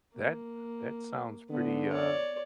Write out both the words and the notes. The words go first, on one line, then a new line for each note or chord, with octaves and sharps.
that that sounds pretty, uh
A#3
D3 B3
C#5 D5